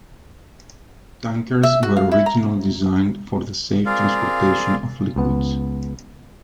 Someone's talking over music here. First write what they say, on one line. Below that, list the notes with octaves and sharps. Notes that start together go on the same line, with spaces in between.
Tankers were originally designed for the safe transportation of liquids.
E5
F#4
F5
E4
A#5
C4 F4 G#4 A#4 D5 F5
C#2 B3